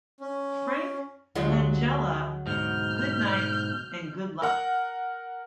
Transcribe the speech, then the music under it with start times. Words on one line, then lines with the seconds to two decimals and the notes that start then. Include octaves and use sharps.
Frank Langella - Good Night, and Good Luck.
0.21 C#4
1.35 D2 D3 F#3 G#3 F4 G4
2.47 G#2 B2 F6 G6
4.42 A#4 F#5